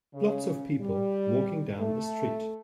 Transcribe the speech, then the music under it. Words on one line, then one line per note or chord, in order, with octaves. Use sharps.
Lots of people walking down a street.
C#3
G3
A3